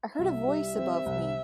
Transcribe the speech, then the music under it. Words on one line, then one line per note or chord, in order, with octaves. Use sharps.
I heard a voice above me.
C2 E5
G3
C4
C2